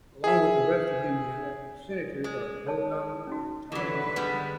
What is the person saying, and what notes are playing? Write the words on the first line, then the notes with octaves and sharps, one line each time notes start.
Along with the rest of Indiana, its Sentators are Joe Donnelly and Todd Young.
G#4 E5
G#3
C#5 A5
C#4 D#4 F#4
D3 E3 F#3 F4 G4 B4
G3 G#3 B3